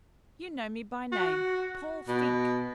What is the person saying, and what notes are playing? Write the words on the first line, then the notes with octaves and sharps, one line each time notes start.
You know me by name--Paul Fink.
F#4
B2